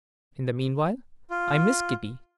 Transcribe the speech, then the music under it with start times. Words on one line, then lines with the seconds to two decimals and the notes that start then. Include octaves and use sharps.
In the meanwhile, I miss Kitty.
1.30 F4